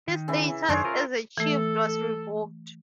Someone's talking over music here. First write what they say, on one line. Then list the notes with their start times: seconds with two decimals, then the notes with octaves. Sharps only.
His status as a chief was revoked.
0.08 D#3
0.28 C#3 E3 E4
0.69 F#2 D#3 D4 G#4 C5 C#5
0.85 F4 A#4
1.38 E3 A3 A4